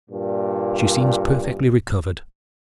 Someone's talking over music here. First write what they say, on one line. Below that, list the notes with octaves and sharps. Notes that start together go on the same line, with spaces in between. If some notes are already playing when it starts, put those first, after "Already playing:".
She seems perfectly recovered.
G2 A#2